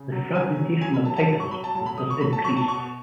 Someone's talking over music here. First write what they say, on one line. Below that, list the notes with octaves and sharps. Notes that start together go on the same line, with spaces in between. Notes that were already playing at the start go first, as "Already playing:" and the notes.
The fragmentation of titles was thus increased.
Already playing: C#3
F#3
C#3 G#5
F#3
F#3 G#5
B5
F#3 A5
A5
F#3 A5
C#6
F#3 B5
A5
F#3 A5
B5
F#3 D#6
C#6
F#3 B5
A5
F#3 C#6
A5
B2 C#6